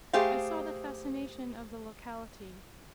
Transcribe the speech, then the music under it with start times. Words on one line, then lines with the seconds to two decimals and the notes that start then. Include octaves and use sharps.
I saw the fascination of the locality.
0.13 A3 G4 G#4 C5 F5